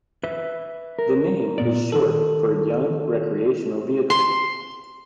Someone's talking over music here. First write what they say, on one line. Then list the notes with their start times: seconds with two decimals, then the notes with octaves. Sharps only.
The name is short for "Young Recreational Vehicle".
0.23 B4 E5
0.99 A#4
1.58 A#2 B3 D5
1.92 D#3 A4
4.10 C6